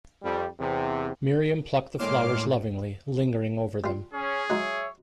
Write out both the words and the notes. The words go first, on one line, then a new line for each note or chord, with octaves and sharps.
Miriam plucked the flowers lovingly, lingering over them.
F2 G3
E2 C3
A#1 A2 G#3 C#5 C6 D6 F6
G3 F4
C#4 G#4
F#3 G#3 D#4 C#5 E5